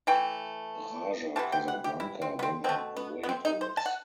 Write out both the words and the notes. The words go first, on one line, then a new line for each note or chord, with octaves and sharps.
Raja Casablanca won on away goals.
E3 A3 G5
C3 E3 B3 A5
G5
F#5
G4
E4
C4
B3
C4
B2 A3 C4
B3
B3
C4
D#4
C5
A5
F#5